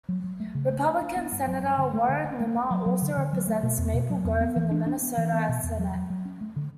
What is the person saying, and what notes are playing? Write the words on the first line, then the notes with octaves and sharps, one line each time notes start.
Republican senator Warren Limmer also represents Maple Grove in the Minnesota Senate.
F#3
F#3
A3
C#3
A3
D4
D4
B3
G2
F#3
G2
D3
A3
D3
D4
A3
A3
F#3
F#3
D3
D3
F#3
A3
B2
E2
B2
F#3
E2
B3
E3
D4
D4
B3
E3
B3
B2
E2
F#3
F#3
F#3
C#4
A3
D3